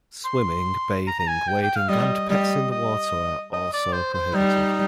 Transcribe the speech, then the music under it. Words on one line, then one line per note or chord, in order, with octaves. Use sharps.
Swimming, bathing, wading and pets in the water are also prohibited.
C6
A#5
A#5
G#5
G5
G5
F5
G3 D#5
G3 D#5
D#5
D#5
D5
C5
C5
G3 D#4